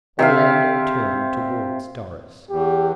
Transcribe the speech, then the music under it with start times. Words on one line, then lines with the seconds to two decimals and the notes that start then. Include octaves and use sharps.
Orlando turned towards Doris.
0.19 C3 E5 F5
2.50 E2 G4